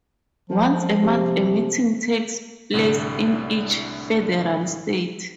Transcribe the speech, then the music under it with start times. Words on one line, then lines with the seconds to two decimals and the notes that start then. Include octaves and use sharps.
Once a month a meeting takes place in each federal state.
0.50 F3
1.03 C3
2.74 C2 A2 D3